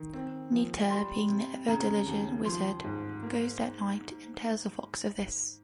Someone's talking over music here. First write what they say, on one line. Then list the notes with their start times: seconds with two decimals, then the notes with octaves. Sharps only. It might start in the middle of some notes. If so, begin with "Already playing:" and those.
Nita, being the ever-diligent wizard, goes that night and tells a fox of this.
Already playing: D#3
0.13 C4
0.51 F3
0.90 G3 C6
1.29 C3
1.68 C#3 A#5
2.06 D#2
2.45 F3 C6
2.84 G#2
3.23 A#3